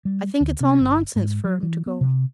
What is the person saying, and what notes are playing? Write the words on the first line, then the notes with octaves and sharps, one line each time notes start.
I think it's all nonsense for 'em to go.
G3
D2
C3
G1
G#2
F#3
E3
B3
C3